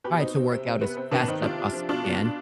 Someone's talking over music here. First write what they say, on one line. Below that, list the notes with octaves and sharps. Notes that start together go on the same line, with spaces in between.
try to work out as fast as I possibly can,
B2 G4 B4
B2 C4 D#4
B2 C4
C3 C4
C3 C4
C3 B3
C3 C4
D#3 B3 D4
D#3 C4 D#4
C3 D4 F4
C3
F3
B2 D4 F4
B2
B2